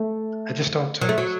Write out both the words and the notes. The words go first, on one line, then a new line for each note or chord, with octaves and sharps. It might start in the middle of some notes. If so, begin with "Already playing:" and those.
I just don't, uh
Already playing: A3
F#3
A3
F#3